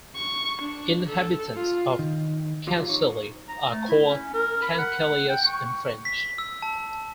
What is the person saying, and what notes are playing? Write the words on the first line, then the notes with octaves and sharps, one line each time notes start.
Inhabitants of Cancale are called "Cancalais" in French.
C#6
D4
A4
F4
D#3
F#3 F4 G4 F5 A#5
D#4 C#5
A#5
A3
E4
C#4
A#4
B5
F#5
G5
C#6
B6
E6
A5